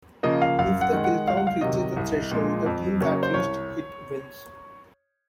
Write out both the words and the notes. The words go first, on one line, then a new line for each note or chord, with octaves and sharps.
If the killcount reaches a threshold, the team that reached it wins.
C#3 F3 A#3 D#5
F5
F#2 F5
F#5
D#3 G#3
F#5
C#2 F5
F#5
F5
C3 D#3 F#3 D#5
C2
A#2 F3 G#3
F2
C#3 F#3 A#3 C#4
C5
C2 C#5